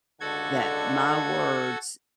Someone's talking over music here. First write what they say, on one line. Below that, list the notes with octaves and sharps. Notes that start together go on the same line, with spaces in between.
that my words
C#2 D3 F#4 A4 G#6